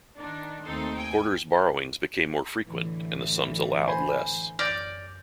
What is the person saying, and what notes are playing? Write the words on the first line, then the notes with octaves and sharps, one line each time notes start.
Porter's borrowings became more frequent, and the sums allowed less.
D#3 D4
D#2 A3 C4 D#4 A4 C6
G5 G#5
A1 D3 E3
C5 G#5 B5
F#2 D5 F6 G6 A#6